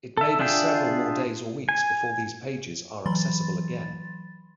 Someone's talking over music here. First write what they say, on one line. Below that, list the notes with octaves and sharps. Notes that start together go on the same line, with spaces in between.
It may be several more days or weeks before these pages are accessible again.
A4 E5
D4 F4 G#4 E5 G5
G#5
E3 F#3 B5 C6 A6